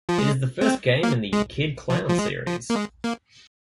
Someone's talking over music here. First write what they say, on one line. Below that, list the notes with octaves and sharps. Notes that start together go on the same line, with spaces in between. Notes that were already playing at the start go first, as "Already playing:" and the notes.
It is the first game in the "Kid Klown" series.
F3
G#3
C4
A#3
G#3
F3
F3
G#3
F3
A#3
G#3
A#3